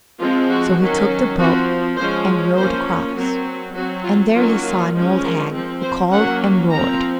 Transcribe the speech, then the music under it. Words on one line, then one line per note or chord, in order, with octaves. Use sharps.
So he took the boat and rowed across, and there he saw an old hag, who called and roared.
F3 G#3 C4 F4
F#4
D#3 F#3 C#4
F3 C4 F#4
F3 G#3 C#4 C5
F3 A#3 C#4 C5
F#3 C4 A#4
F#3 C4 F#4
F4
D#3 F#3 A#3 C#4 F4
F4
F3 G#3 C#4
A#4
F3 C4
C5
F#3 A#3 C#4 F#5
F3 C4 A#5